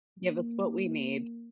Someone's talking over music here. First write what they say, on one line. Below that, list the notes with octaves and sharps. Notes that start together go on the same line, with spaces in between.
give us what we need.
A#3